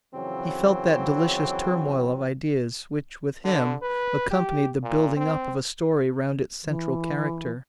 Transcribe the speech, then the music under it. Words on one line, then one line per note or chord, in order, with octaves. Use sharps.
He felt that delicious turmoil of ideas which with him accompanied the building up of a story round its central character.
F2 C#3 E3 F#3 C4
D3
B4
G4
A#2
C4
E3